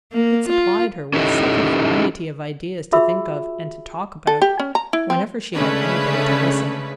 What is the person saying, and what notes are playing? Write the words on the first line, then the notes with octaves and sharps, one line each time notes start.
It supplied her with such a variety of ideas to think of, and to talk about, whenever she had anybody to listen!
A#3
F4
C#4 D#4 E4 G4 A4 D#5
F4 F#4 G#4 E5 B5 E6
A4
G4
C#4
A#5
E4
C4
C#3 G#3 A3 C#4 D4 B4